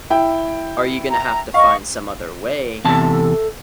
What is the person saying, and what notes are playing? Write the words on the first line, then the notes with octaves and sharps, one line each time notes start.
Are you gonna have to find some other way
E4 G5
A#5
D#5 F5 C#6
E2 C3 A4 E5 A5